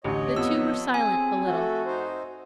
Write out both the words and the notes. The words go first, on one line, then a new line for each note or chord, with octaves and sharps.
The two were silent a little.
A1 D2 G4 C#5 D#5
F2 B3 E6
C4 G#4 G#5
A3 F#4 A4
D#4 C5